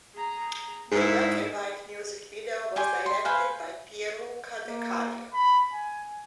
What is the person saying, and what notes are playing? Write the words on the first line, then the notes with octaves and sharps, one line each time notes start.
The black and white music video was directed by Pierluca DeCario.
G#4 A#5
G#2 E4
G4 G#5 C6
C6
B4 C5 F5 G#5
A#3
B5
G#5